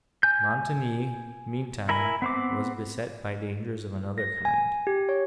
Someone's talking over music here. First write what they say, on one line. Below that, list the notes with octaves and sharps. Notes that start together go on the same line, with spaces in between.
Montoni, meantime, was beset by dangers of another kind.
G#5 G6
E4 A#4 G#5 B5
B3 C4 D6
A#6
G#5
G4
C#5